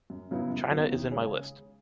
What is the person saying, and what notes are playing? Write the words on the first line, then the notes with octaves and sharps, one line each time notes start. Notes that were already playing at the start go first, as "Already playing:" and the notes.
China is in my list.
F#2
C#3 F#3 B3 E4
F#2
C#3 F#3 B3 E4
D#2
C#3 G#3 C#4 G#4